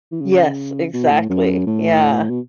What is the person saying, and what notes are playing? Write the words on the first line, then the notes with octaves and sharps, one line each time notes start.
Yes, exactly. Yeah.
E3
C#3
B2
A2
F#2
A2
B2